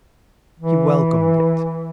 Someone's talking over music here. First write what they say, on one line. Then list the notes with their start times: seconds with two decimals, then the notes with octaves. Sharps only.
He welcomed it.
0.60 E3